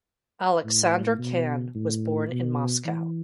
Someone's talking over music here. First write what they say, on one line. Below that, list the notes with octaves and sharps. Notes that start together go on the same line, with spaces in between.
Aleksander Kan was born in Moscow.
A2
B2
A2
B2
E3